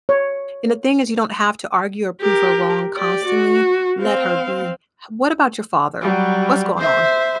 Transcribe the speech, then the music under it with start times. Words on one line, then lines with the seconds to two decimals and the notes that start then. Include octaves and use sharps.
and, the thing is, you don't have to argue or prove her wrong constantly, let her be, h what about your father? What's going on?
0.09 C#5
2.21 G4 A#4
2.96 G4 D5
3.26 F#4
4.01 C4 F5
6.01 F#3 G3
6.78 C5 E5